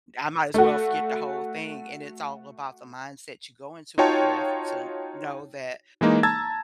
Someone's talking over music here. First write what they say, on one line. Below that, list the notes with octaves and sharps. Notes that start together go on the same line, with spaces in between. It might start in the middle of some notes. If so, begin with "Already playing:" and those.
eh, I might as well forget the whole thing." And it's all about the mindset you go into it with to know that,
A3 F#4
D#4 F4 F#4 C#5 G5 A5
E3 G#3 A#3 D#4
A5 A#5 E6 G#6 A6